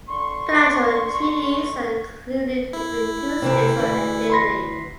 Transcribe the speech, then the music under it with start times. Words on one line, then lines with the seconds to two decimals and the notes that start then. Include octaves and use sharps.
Bilateral treaties are concluded between two states or entities.
0.08 D3 C6 C#6
2.73 E4
3.42 C3 E3 C4
3.79 D2 E3
4.30 B5 C6 A#6